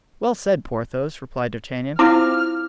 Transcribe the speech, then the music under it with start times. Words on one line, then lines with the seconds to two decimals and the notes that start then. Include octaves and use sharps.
"Well said, Porthos," replied D'Artagnan.
1.99 C4 E4 F4 D6 F6